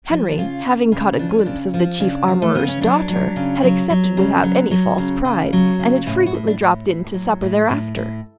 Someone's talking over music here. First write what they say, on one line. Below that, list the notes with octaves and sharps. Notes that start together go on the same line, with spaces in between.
Henry, having caught a glimpse of the Chief Armourer's daughter, had accepted without any false pride, and had frequently dropped in to supper thereafter.
F3
D4
C#3 F4
C#3
C#3
F3 D4
C#4
D4
C#3
F3
C#3 D4
F3
A3
C#3 B3
C#4
F#3 D4
F#3
C#3
F#3
F#3
C#3
F#3
F#3
C#3
C#3
F#3
C#3
A2 G#4
F#4
A2
D4
A2
A2
F#3
A2
A2
A2